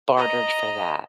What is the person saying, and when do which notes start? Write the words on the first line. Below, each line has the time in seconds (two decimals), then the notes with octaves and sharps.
bartered for that.
0.17 D#5 A#5